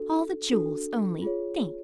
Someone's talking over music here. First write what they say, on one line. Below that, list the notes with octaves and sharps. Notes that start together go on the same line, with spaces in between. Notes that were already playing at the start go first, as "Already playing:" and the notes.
All the Jewels, only think!
Already playing: D4 F#4 A4
D4 F#4 A4
F4 G#4 C#5